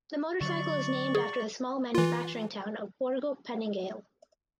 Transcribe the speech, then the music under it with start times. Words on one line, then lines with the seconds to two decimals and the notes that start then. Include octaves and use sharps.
The motorcycle is named after the small manufacturing town of Borgo Panigale.
0.41 D3 F#3 D5 C#6
1.15 G#4
1.95 E3 F4